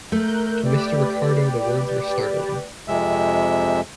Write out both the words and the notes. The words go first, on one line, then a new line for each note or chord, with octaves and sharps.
To Mr. Ricardo the words were startling.
A3 A#4 F#6 G6
G4 B4 D5
F2 C3 G#3 E5